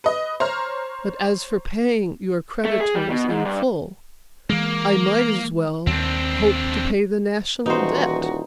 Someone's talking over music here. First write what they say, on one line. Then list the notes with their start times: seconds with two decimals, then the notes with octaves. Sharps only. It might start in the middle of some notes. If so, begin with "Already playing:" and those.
But as for paying your creditors in full, I might as well hope to pay the National Debt.
0.04 B4 D#5
0.40 C5 C#5 A#5 F6
2.65 A3
2.80 G#4
2.95 G3
3.10 B2
3.30 G#2
3.45 G2
4.50 E3 G#3 A#3
5.87 D#2 C4 D4
7.66 D#1 E3 D#4 F#4 C5